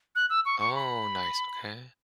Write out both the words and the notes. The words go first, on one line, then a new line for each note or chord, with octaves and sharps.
Oh, nice, okay.
F#6
E6
C#6
C#6
B5